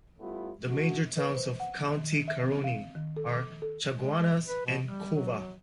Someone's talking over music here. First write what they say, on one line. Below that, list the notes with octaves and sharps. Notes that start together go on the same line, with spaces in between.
The major towns of County Caroni are Chaguanas and Couva.
G3 A3 B3 C#4 E4 F4
D3 A3 F#4
B4
C5
F#5
D#3
E5
C4
F5
D#3
A4
D6
A4
G#3
B4
B2
G3
F#3